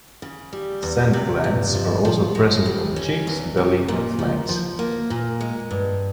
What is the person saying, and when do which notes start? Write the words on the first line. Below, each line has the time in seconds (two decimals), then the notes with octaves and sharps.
Scent glands are also present on the cheeks, belly and flanks.
0.22 C#3
0.53 G3
0.83 E2
1.13 C3
1.44 G2
1.75 F3
2.05 F3
2.35 G#3
2.66 G3
2.96 C#4
3.27 E2
3.57 C3
3.88 A#2
4.19 F3
4.49 F3
4.79 A#3
5.10 A#2
5.41 G#3
5.71 G2